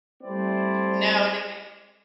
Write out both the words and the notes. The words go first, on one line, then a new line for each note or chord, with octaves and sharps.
No, and it,
G3 A3 C4 E4 C5 D5